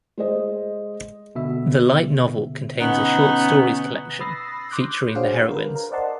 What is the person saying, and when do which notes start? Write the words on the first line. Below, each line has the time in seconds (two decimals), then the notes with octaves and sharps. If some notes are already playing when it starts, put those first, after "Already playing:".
The light novel contains a short stories collection featuring the heroines.
0.18 G#3 C5 D#5
1.35 B2 D3 E5
2.80 B3 C#4 D#4
4.20 B5 D#6 E6 A6 A#6 C7
4.71 C6 D6 F#6 G6
5.15 D4 F#4 G#4 C5 C#5 F5
5.51 A#4 B4
5.76 A#4
5.91 C5 D5 D#5 F#5 A5 C6